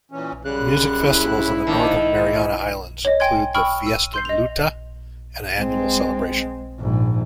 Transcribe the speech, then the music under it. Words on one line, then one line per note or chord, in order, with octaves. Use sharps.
Music festivals in the Northern Mariana Islands include the Fiestan Luta, an annual celebration.
A#2 E3 C#4
F#2 C#3 G3 F#6
E4
D#3 F3 A#3 D4
A#3 F4
C#5 D#5
G5 G#5 C6 G#6
G5 B5 C#6 E6 F6
E6 D#7
C6 G6 C7
D#5 F7
G#3 C4
A#1 G#2